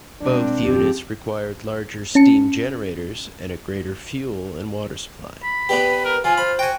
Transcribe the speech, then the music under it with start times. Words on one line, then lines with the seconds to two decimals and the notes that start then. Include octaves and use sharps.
Both units required larger steam generators, and a greater fuel and water supply.
0.21 B2 G#3 A#3 C4 D4
0.63 F#1 D#2 F3 C4 G4
2.15 C#4 A5 C#7
5.43 B5
5.69 B3 D4 G4 B4
6.05 A#4
6.24 F3 F4 G#5
6.38 C5 B5
6.59 F#4 G5 G#5